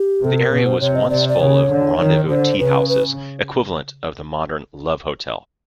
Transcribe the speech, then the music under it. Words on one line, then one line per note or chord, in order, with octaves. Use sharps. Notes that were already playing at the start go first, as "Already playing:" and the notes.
The area was once full of "rendezvous teahouses", equivalent of the modern love hotel.
Already playing: G4
C3 A4
A#4
B2 B4
C5
C3 C#5
D#5
C3 D5
D5
C#3 C#5
D3
D#3
D3 C5
C#3 B4
B4